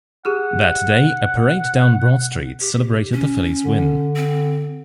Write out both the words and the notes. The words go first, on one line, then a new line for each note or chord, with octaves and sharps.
That day, a parade down Broad Street celebrated the Phillies win.
G4 G#4 F#5 F6
G4
C#4
D3
C4